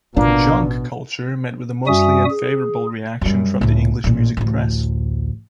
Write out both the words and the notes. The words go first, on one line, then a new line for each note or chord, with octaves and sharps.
"Junk Culture" met with a mostly unfavourable reaction from the English music press.
A1 B2 A#3 D4 F4
F#2 G3 F#4 E5 G#5 D#6
G#4
F#2 G3
C#2 A2
A1 A#2
A1 D2